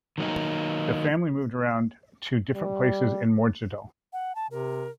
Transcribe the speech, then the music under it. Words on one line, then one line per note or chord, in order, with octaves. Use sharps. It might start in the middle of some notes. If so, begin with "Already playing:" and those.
The family moved around to different places in Morgedal.
D#3 F#3 A#3 D#4
G3
F#5
A5
C3 A#4